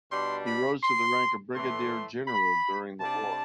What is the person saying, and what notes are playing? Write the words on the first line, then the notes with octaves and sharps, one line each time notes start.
He rose to the rank of Brigadier General during the war.
B2 G3 D4 C6
B5
C6
A2 E3 A3 C6
B5
C3 G3 D4 A5